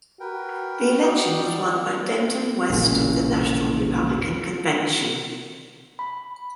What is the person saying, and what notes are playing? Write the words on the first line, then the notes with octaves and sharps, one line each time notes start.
The election was won by Denton West of the National Republican Convention.
F#4 A#4 B4 G5
D5 D#5 G5
E1 A#1 C#3
B5